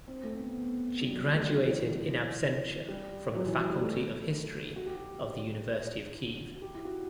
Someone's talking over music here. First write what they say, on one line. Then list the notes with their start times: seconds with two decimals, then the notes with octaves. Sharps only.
She graduated in absentia from the Faculty of History of the University of Kyiv.
0.08 C4
0.23 A3
0.33 C4
0.39 B3
0.56 B3
1.01 G3
1.11 F#3
1.19 G3
1.33 A3
1.41 G3
1.48 F#3
1.59 D3
1.64 E3
1.79 E3
2.89 G3
3.35 F#3
3.46 E3
3.59 F#3
3.70 G3
3.82 A3
4.76 F#4
4.86 G4
4.97 F#4
6.55 F#4
6.62 G4
6.74 E4
6.85 F#4